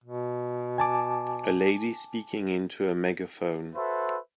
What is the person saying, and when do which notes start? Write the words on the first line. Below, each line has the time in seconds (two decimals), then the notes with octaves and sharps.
A lady speaking in to a megaphone.
0.04 B2
0.78 G#5 A5 D6
3.76 F#4 A4 B4 C5 E5